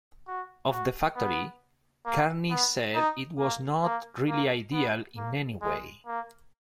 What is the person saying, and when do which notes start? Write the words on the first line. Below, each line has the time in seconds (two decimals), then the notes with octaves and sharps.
Of the factory, Carney said it was not really ideal in any way.
0.28 F#4
0.72 F#4
1.16 B3
2.06 A#3
2.50 B3
2.95 D#4
3.39 A#3
3.84 A#3
4.28 A#3
4.73 B3
5.17 A#3
5.62 G#3
6.07 A#3